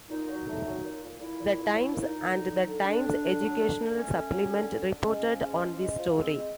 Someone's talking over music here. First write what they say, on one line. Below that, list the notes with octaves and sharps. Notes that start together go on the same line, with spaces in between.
"The Times" and "The Times Educational Supplement" reported on this story.
A#2 D#4
F#3
A3
F#3
A#2
A#2
A#2 E4
A#2
A#2
F#3 E4
A#2
D#4
A#2
D3
F#3
D3
D3 D4
D3
D3
F#3
D3
D3
A3 C#4
A3
F#3
D3
D3
D3
G#3 C#4
F3
G#3
F3
G#3
F3
G#3 C4
G#3